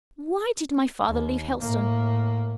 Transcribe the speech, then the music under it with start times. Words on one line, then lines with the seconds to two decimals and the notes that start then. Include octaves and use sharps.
Why did my father leave Helstone?
1.06 D#2
1.59 A2 A#3